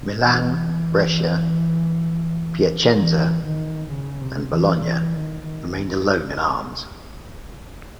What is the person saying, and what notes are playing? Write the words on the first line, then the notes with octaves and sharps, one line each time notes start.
Milan, Brescia, Piacenza and Bologna remained alone in Arms.
E3
E3
D#3
C#3
C3
E3
E3
D#3
D#3